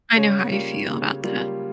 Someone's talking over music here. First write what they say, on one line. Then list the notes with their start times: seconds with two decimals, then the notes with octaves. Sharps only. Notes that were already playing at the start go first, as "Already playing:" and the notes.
I know how you feel about that.
0.16 C#3 C#5
0.52 G3 A#3 F4
0.87 C#3
1.23 G3 A#3 F4